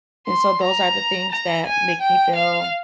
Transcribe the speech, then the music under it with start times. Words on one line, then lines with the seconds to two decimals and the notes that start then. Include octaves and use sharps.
And, so, those are the things that make me feel,
0.28 C6
0.63 A#5
1.31 A#5
1.66 G#5
2.01 G5
2.36 F5